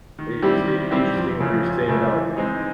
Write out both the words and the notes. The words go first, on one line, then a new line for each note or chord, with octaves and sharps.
It it was i interesting what you were saying about,
D#3
G3 C4 E4 G4
D#3
G3 C4 E4 G4
F2
C#3 F3 A3
F2
C#3 F3 A3
E3
G#3 C4 D#4